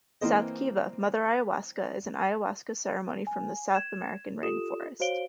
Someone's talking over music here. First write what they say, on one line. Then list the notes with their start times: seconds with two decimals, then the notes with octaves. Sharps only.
"South Kiva, 'Mother Ayahuasca" is an Ayahuasca ceremony from the South American rainforest.
0.21 E3 A#3 C4 C5 D#5
3.27 G#5
3.75 G#6 E7
4.43 F4 G4 A4 D#6 E7
5.00 F#4 C5 C#5 F5 D7 G7